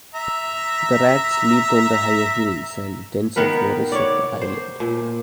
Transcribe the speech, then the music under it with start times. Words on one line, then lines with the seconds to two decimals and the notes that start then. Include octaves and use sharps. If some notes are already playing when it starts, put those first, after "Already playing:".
The rats lived on the higher hills and denser forests of the island.
0.15 E5 A#5
3.36 D#3 B3 A#4 B4
3.92 C#5 D5
4.41 C5
4.80 A#2